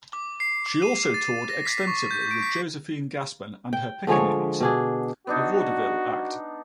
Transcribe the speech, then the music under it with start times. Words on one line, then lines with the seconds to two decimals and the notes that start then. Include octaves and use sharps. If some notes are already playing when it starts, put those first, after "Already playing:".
She also toured extensively with Josephine Gassman and Her Pickaninnies, a vaudeville act.
0.13 D6
0.40 C7
0.66 D6
0.82 D#7
1.14 A6
1.49 A#6
1.65 B6
1.87 C#6
2.11 G6
2.31 D7
2.43 B6
3.73 G5
4.07 D3 F3 G#3 C#5
4.60 B2 D4 G#4
5.27 B3 D4 D#4 F#4